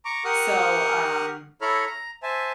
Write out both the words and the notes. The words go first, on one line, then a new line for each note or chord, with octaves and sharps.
so, um
A#5 C#6 D6
G4 A#4 F#5 C#6 D#6 F6
E4 A4 C#5 A#5 B5 F6
A#5
C5 E5 G#5 A5